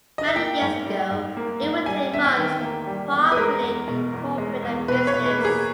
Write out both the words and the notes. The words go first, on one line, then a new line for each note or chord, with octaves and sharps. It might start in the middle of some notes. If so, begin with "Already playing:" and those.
Many years ago, it would take months to properly incorporate a business.
D#5
E5
A#3 G5
G#2
G3
G#2
A#3
G#2
G3 G#5
E2 E5
G5
D#3
A#3
G3
E2
B4
G#3 A#4
E2
B2
E2
G#3
E2
B2 B4
C#5
B2
B4
A#3
G#4